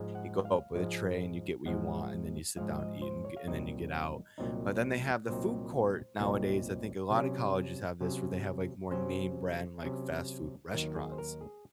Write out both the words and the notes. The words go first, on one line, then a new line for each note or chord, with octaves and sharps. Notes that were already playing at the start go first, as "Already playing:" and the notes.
You go up with a tray, and you get what you want, and then you sit down and eat, and g and then you get out. But then they have the food court nowadays, I think a lotta colleges have this where they have like more name brand, like, fast food restaurants,
Already playing: G#2 F3 G#3
F#5
F5
G#2 F3 G#3
G#2 F3 G#3 F#5
G#2 F3 G#3 F5
D#5
C5
C#5
F5
C2 A#2 F#3 C4 D#4 D#5
C2 A#2 F#3 C4 D#4
C2 A#2 F#3 C4 D#4 C5
C2 A#2 F#3 C4 D#4
C3 F#3 C#4
C3 F#3 C#4
C3 F#3 C#4 C5
C3 F#3 C#4
D#2 D#3 F#3 A#4
G#4
C5
A#4
G#4